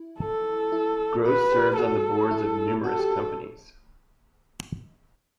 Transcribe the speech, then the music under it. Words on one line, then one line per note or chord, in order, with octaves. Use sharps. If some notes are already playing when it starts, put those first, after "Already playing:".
Gross serves on the boards of numerous companies.
Already playing: E4
A4
E4
F#4 B4
G4
F#4 A4
E4
F#4 A4
G4
F#4